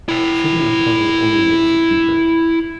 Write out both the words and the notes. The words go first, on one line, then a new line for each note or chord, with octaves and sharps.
Shooting a puddle only makes it deeper.
E4 G5